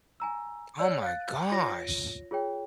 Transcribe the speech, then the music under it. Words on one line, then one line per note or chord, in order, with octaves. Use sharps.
Oh my gosh.
G#5 A#5 E6
C#5 D5 E6
F5 F#6 A6
F4 C#5 A#6
F4 G#4 C#5 G5